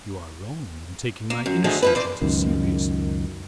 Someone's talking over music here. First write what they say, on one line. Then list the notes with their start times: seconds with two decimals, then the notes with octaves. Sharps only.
"You are wrong in taking my innocent jests seriously."
1.30 A#3
1.46 F#2
1.64 D3 D#3 F3 A3 G#4 A4
1.82 F3 E4 B4
1.95 E3 C5 D5
2.21 C#2 F#2 D#3